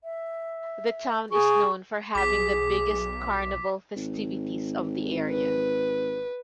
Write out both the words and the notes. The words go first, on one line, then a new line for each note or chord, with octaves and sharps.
The town is known for having the biggest carnaval festivities of the area.
E5
G#4 C#6
B1 G#4 D6 B6
G#1
B4